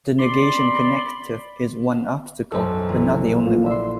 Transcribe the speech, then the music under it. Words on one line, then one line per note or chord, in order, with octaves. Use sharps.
The negation connective is one obstacle, but not the only one.
D5 B5 C6
B1 F#2 A4 C5
A#1 E3
A#3 F4
D5 E5 C6